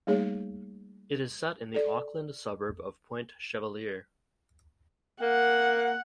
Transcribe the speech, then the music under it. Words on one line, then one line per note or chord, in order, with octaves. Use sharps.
It is set in the Auckland suburb of Point Chevalier.
G3 A3 A#3 D#4 G#4 C#5
A4 D5
A#3 F#5